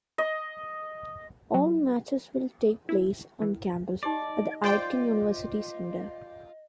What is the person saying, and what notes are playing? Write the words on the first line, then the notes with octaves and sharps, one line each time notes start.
All matches will take place on campus at the Aitken University Centre.
D#5
F#3
E4
E3
D#4 G4 D5 D#5 D6
F4 C5 D5 G5